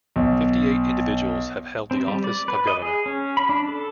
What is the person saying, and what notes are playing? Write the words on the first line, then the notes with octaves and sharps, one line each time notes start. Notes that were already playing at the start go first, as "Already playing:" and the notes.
Fifty-eight individuals have held the office of governor.
B1
C4
G3
D5
B4
D#5
G#4
C#4
B5
D4
A4